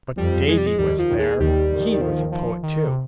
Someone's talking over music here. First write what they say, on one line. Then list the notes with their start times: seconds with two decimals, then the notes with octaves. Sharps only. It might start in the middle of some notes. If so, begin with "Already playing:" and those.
But Davy was there: he was a poet too.
0.17 F2 F3 G3
0.48 G#3
0.58 G3
0.67 G#3
0.78 D#2 D#3 G3
0.99 F3
1.09 D#2 D#3
1.20 G#3
1.40 D#2 D#3 G3
1.71 D#2 D#3
1.92 G3
2.01 F3
2.32 F3
2.63 D#3
2.87 C3